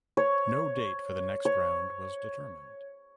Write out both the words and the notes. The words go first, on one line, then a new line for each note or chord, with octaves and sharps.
No date for the next round was determined.
C#5
C#5